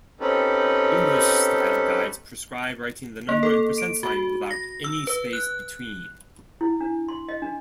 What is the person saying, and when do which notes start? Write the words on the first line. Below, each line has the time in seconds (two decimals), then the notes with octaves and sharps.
English style guides prescribe writing the number and percent sign without any space between.
0.20 C4 C#4 D#4 G4 A4 B4
3.29 A#3
3.43 A4
3.78 D7
4.03 F#4
4.51 A#6
4.84 E6
5.07 B4
5.33 F#6
6.61 E4
6.81 D4
7.08 C6
7.29 D#5
7.42 D4